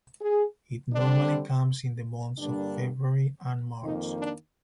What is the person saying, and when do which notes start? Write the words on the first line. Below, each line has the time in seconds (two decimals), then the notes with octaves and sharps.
It normally comes in the months of February and March.
0.21 G#4
0.93 D3 G3 C4 D4
2.38 G2 D3 G3 A#3 D4
3.83 F2 D#3 A#3 D#4
4.20 D4